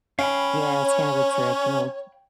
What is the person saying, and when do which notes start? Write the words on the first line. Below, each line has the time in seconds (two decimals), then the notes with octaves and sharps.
Yeah, it's kind of a trick, an old
0.19 C#4 F5 G5 B5
0.84 C#5